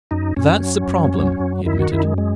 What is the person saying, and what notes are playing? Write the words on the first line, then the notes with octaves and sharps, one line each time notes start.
"That's a problem," he admitted.
F#2 D#4
F#2 C#4
F#3
F#2
F#3
F#2
D#3 E4
F#4
F#2 E4
G#3
G#3